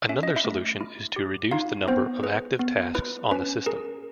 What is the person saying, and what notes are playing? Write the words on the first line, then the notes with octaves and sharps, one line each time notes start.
Another solution is to reduce the number of active tasks on the system.
C#4 E5
D#5
E4 E5
A3
E4
G4
D#4 F4 F5
B3 C4 C5
G#4 B4
B3
E4 B4
C#4 B4
G#4 A#4